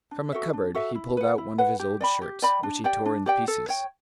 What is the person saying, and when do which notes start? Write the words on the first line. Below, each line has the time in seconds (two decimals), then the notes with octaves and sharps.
From a cupboard he pulled out one of his old shirts, which he tore in pieces.
0.11 D4
0.32 F#4 A4 E5
0.53 D4
0.75 F#4 A4 E5
0.95 E4
1.17 B4 F#5
1.38 E4
1.58 B4 F#5
1.80 G4
2.01 D5 G5 B5
2.22 G4
2.42 D5 G5 B5
2.63 D4
2.84 G4 D5 G5
3.06 D4
3.26 G4 D5 G5
3.48 A4
3.69 C#5 G5